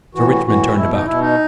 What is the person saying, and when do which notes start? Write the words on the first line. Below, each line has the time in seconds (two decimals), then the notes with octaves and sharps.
Sir Richmond turned about.
0.15 A2 E3 F#4
0.31 F#4
0.45 A2 E3 F#4
0.77 B2 E4
0.92 D#4
1.06 B2 E4
1.21 D#4